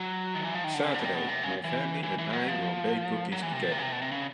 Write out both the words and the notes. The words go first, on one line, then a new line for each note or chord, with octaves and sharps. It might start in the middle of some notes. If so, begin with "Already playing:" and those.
Saturday, my family and I will bake cookies together.
Already playing: F#3
D#3
E3
F3
D#3
D3
C#3
D3
B2
C3
B2
C3
C#3
E3
E3
E3
F#3
F3
F#3
E3
C3
B2
C3
C#3
C3
B2
C3
C#3